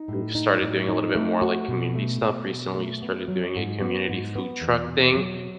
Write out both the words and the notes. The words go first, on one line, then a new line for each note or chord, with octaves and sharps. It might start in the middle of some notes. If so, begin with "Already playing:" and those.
we've started doing a little bit more, like, community stuff, recently, we started doing a community food truck thing,
Already playing: D#4
A2
D#4
A2
D#4
A3
F#4
B2
A3
B2
B2
A3
B3
F#3
G#2
B3
G#2
B3
E2
B2
F#3